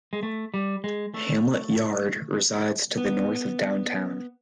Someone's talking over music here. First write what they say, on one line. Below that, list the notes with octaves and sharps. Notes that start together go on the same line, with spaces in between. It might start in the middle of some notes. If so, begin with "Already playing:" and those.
Hamlet yard resides to the north of downtown.
G#3
A3
G3
G#3
A3
B3